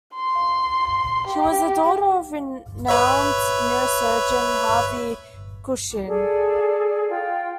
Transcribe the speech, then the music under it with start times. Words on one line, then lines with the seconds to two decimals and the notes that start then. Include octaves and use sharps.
She was the daughter of renowned neurosurgeon Harvey Cushing.
0.15 C6
1.28 G4
2.88 B4 C#5 E5
6.07 G#4 A4 D5
7.11 F4 G5